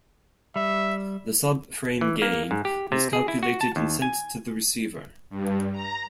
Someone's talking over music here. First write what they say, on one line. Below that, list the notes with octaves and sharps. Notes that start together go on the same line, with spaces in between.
The sub frame gain is calculated and sent to the receiver.
G3 E5
E3
A#3
G#2
G4
C3
G#4
E4
F#4
A5
D#2
G#5
G2
A#5